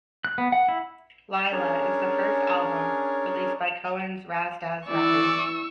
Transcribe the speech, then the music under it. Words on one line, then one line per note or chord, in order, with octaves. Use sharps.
"Lyla" is the first album released by Cohen's Razdaz Recordz.
F#6
B3
F#5
E4
C#4 D4 G#4 A#4 C#5
E3 D5 C#6 E6